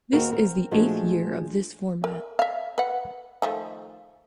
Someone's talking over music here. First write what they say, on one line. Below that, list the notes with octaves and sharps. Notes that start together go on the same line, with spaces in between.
This is the eighth year of this format.
D#2 C4 F#4 A#4
C4 A#4
A#2 F3 G#3 A3 D4 F#4
A#4
E5 F5
B4 F#5
D#3 F3 A3